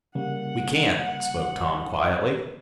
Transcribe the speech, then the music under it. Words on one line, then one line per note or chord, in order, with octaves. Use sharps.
"We can't," spoke Tom, quietly.
C#3 G3 A#3 F#5